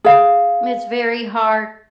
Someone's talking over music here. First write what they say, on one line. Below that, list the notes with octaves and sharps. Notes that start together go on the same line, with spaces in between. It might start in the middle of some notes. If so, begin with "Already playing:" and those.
Mm, it's very hard,
G#4 F5